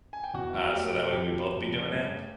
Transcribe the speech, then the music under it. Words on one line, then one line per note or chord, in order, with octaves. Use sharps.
uh, so that way we'd both be doing it,
G#5
G5
E2 F#4 F#5
F#3
A3 G4 G5
B2
F2 G4 G5
F#3
F2
C#3
G2
A3